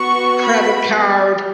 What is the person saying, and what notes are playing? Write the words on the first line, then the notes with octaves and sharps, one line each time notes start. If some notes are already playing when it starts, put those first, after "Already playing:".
credit card
Already playing: B3 F#4 C#6
B5